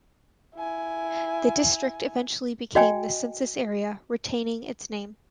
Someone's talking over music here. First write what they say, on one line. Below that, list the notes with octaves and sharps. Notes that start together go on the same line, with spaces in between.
The district eventually became the census area, retaining its name.
E4 G#5
F#4 D#5 G5 G#5